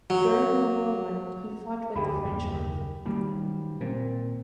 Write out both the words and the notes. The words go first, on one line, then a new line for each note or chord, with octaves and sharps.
During World War One, he fought with the French army.
F#3
D2 D3 G4 G#4 B5
F#1 D#2 A#3
D#3 F#3 G3
A#2 A#3 C4